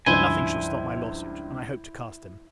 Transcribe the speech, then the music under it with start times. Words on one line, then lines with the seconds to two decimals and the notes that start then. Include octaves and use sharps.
But nothing shall stop my law-suit, and I hope to cast him.
0.06 C#2 G2 F3 E4 C5 G#5